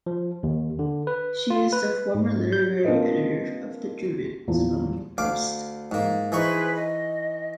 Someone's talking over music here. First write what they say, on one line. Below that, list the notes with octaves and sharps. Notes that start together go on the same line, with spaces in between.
She is the former literary editor of the Jerusalem Post.
F3
D#2
D3
B4
F4
B4
G#2
G6
A#3 C4 D4 F4 B4 D#5
A#1 E2 F3
D2 F5 D6
G#2 A#3
E3 D#4 G#4 B4 C5 C#6
D#5